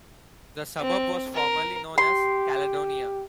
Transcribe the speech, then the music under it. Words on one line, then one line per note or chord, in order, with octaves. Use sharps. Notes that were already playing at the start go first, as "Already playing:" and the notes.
The suburb was formerly known as "Caledonia".
C4
A#4
G4 C6